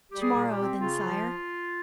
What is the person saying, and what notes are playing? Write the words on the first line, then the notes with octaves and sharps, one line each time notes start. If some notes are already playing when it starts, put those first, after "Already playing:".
"Tomorrow, then, sire?"
G3 G4
G#4
A#2
G4
C4
C#3 F4
F3